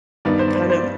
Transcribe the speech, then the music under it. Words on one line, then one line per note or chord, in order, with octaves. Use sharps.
kinda m
G2 D#3 B3 D5
C5
D5
C5
D5
C5
D5